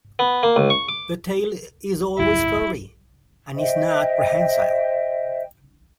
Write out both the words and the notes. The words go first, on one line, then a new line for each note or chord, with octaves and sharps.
The tail is always furry and is not prehensile.
B3
A#3
C#2
C#6
D6
G#1 C#2 F#2 E4
C5 D#5 E5 G5